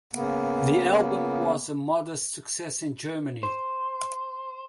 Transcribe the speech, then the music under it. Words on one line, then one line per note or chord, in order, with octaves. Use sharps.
The album was a modest success in Germany.
C#3 A#3 B3
C5